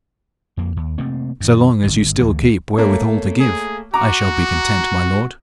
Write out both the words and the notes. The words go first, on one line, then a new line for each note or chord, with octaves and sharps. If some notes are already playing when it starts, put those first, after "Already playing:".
'So long as you still keep wherewithal to give, I shall be content, my lord.'
F2 A#3
D#2
C3 A3 A#3 C4
F#2 D#3
G1 D#3
D2 E3 A3
A3 A#3 C#5
G#4
F#4 A#5 D6